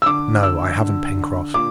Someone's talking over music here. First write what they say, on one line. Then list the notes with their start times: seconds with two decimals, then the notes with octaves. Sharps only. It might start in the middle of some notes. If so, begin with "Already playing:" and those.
"No, I haven't, Pencroft."
0.02 E6
0.06 D3 D6
0.43 D3 E6
0.81 D3
1.17 D3
1.54 A#2 D6